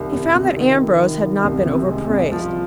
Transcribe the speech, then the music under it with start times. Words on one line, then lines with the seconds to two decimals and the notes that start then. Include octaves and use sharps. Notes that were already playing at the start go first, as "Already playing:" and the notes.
He found that Ambrose had not been overpraised.
Already playing: C2 D#3
0.12 C2
0.35 C3
0.57 D#3
0.78 D#3
1.01 D#3
1.22 D#3
1.44 C2
1.66 C3
1.88 G#3
2.10 C2
2.32 F3